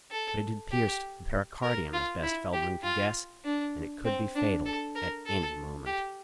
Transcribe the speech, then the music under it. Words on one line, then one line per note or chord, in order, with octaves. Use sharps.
But it had pierced the pericardium, as best Feldman could guess, and it could be fatal at any moment.
A4
G4
A#4
F4
E4
G4
F4
D4
C4
D4
A4
A#4
A4
G4